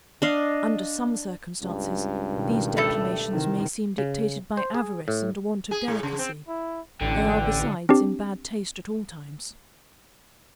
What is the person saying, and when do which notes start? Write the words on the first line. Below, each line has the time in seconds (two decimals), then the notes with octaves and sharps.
Under some circumstances, these declamations may seem dictated by avarice and a want of delicacy; they are besides in bad taste at all times.
0.22 D4 D#5 F5
1.62 C#2 G2
2.32 B2 D#3
2.77 G3 A3 A4
3.30 C3 D#3 E3
3.98 C#3
4.57 C5
4.74 G#4
5.08 A2
5.71 G#4
5.88 A2
6.03 C#3
6.19 C4
6.48 E4
7.01 A1 D3 G5
7.89 C4 D4 G4